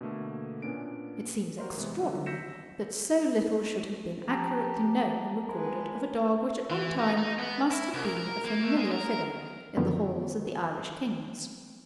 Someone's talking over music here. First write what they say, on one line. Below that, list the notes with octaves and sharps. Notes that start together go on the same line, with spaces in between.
It seems extraordinary that so little should have been accurately known and recorded of a dog which at one time must have been a familiar figure in the halls of the Irish kings.
B2 D3 A3 A#3
A#2 B3 C#4 D4 D7
F#4 G4 A#4 C5 D5 C6
C3 E3 G#3 B3
D3 F#3 G3
E6 G6 A#6 B6 C#7 E7
F3 G4 A5 A#5
G#3 A#4 B4
E3
D#4
D#4
B3
E4
C2
A#4
A#4
A#3
A3
G#3
A#4
F#2 D3 D#3 F3 B3